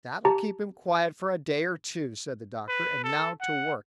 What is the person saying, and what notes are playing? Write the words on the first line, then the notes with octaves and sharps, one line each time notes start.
"That will keep him quiet for a day or two," said the doctor, "and now to work!"
G4 A5 A#5
B4
A4
F#5